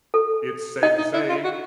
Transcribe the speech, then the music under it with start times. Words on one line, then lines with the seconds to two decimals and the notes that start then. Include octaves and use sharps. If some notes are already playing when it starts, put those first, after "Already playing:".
it's safe to say,
0.14 A4
0.82 D#4 D#5
0.98 D#4
1.14 E4
1.29 F4
1.44 F#4